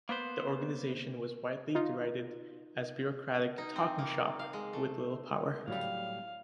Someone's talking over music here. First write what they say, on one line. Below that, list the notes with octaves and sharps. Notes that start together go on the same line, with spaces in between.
The organisation was widely derided as a bureaucratic "talking shop" with little power.
A#3 B3 B4 C5
D#4 F4
D#4
C4
A#3
F5
G#3
A3
A2 F#3 G3 F5